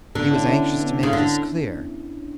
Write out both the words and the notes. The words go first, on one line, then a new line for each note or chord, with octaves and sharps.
He was anxious to make this clear.
D3 B3
C#4 E4
C#4 E4
B3 D4
C#4
B3
C#3
D3